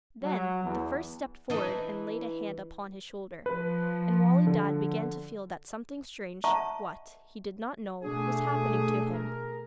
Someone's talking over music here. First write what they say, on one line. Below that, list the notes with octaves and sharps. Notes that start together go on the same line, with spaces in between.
Then the first stepped forward and laid a hand upon his shoulder, and Wali Dad began to feel that something strange--what, he did not know--was happening to him.
F#3
E2
E3 D4 D#4
F3 B4
D3
D#5 E5 F#5 A5 A#5 C#6
B2 A3 D4 F#4 G#4
G#4 A#4